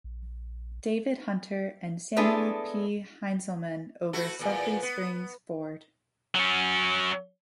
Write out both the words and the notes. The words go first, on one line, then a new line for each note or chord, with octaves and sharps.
David Hunter and Samuel P. Heintzelman over Sudley Springs Ford.
A#1
G#3 B3 D4 E4 G#4 A4
A3 E4 F#4
E2 A#2
B3
F#3 C#4